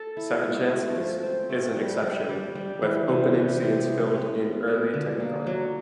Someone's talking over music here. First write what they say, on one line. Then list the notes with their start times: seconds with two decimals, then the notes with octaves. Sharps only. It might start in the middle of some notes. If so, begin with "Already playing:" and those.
"Seven Chances" is an exception, with opening scenes filmed in early Technicolor.
Already playing: A4
0.17 E4
0.43 G#3
0.70 A3
0.96 F3
1.23 C4
1.49 A3
1.76 G3
2.03 G3
2.29 G3
2.55 G3
2.82 E3
3.09 C3
3.34 E3
3.61 G#3
3.88 G#3
4.14 C#4
4.41 B2
4.68 B2
4.94 D3
5.20 A#3
5.47 F#3